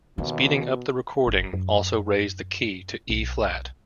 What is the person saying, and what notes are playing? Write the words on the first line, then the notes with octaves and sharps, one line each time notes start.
Speeding up the recording also raised the key to E-flat.
D#2 B2 D#3
G1
F#2
B1